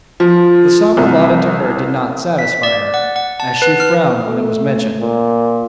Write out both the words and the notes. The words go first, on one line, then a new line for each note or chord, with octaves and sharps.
The sum allotted to her did not satisfy her, as she frowned when it was mentioned.
F3
C2
B6
D5
F#5
F#5
A5
B4
F6
A3
A#2